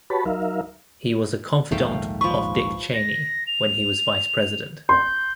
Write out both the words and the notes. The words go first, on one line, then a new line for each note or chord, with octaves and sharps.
He was a confidant of Dick Cheney when he was Vice President.
F#4 G4 B4 C#5 A5 B5
F#3 D#4 A#4 E5 F5
A#1 D#2 G#2 A3 F5 G5
F3 B4 C#6
A#6
F7
C6 G6